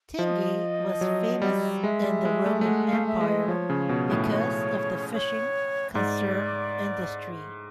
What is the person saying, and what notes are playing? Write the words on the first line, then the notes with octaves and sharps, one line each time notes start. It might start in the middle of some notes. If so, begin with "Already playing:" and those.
Tingi was famous in the Roman empire because of the fishing conserve industry.
F3 D#5
F#3
G3
G#3 E5
G3
G#3
A3
A3
G#3 F#5
F5
A3
E5
G#3
D#5
F3 C#5
C#3
B2
A2
C#5
C#5
G#2 D5